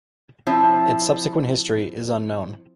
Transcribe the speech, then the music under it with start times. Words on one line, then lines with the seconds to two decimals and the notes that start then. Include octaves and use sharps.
Its subsequent history is unknown.
0.47 F3 C4 E4